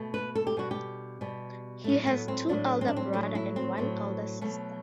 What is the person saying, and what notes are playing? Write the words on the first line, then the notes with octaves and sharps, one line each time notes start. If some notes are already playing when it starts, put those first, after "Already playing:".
He has two elder brother and one elder sister.
Already playing: B2 A3
B4
A4
G4
B2 G3 F#4
G4
B2 G3
A2 F#3 A3
B3
C4
A2 F#3 A3 D4
C4
D4
C4
A2 F#3 A3 D4
E4
C4
A2 F#3 A3
B2 F#3 A3